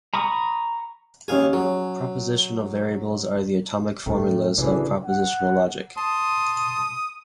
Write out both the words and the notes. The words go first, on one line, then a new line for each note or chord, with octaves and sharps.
Propositional variables are the atomic formulas of propositional logic.
A#5 B5 C#6 D#6
D#2 C#4 G#4 F5 G#5
F#3 G#4
A2 D#3 A3
A1 D2 C#3 E3 D4 G#4
F#5
A5 C6 D#6